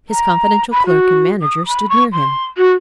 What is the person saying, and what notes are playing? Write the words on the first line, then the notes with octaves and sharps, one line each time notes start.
His confidential clerk and manager stood near him.
A#5
B5
F#4
D#6
B5
C#6
C6
F#4